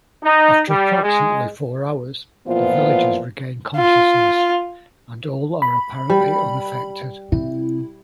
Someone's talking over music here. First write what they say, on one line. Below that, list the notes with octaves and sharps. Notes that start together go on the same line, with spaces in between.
After approximately four hours, the villagers regain consciousness, and all are apparently unaffected.
D#4
G3
G#3
A#2 E3 F3 B3 F4 C5
F4
B5
G3
C3 E4